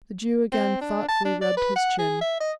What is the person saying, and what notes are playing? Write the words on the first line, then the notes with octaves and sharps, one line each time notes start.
The Jew again thoughtfully rubbed his chin.
C4
D4
A5
D4
D5
B4
F#5
G#4
E5
D#5